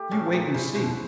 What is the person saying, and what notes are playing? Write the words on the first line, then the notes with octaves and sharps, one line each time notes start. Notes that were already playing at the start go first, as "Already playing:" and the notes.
You wait an' see.
Already playing: A3 G4
A2 C#4
A#2 G#4
C3 E4
B2 C5